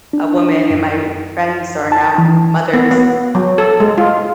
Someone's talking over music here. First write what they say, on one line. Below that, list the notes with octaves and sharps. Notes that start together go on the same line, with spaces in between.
a woman and my friends are now mothers,
D4
F#2
A5
E3
B3
B3
F#3
A4
G#3
F4